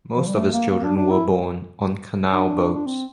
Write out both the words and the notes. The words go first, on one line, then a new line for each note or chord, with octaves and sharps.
Most of his children were born on canal boats.
F3
G3
A3
A#3
A#3
D4
D4
E4
D4
D4
C4